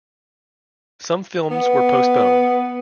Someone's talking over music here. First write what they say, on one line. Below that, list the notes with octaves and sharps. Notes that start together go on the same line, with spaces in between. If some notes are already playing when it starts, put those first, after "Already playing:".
Some films were postponed.
B3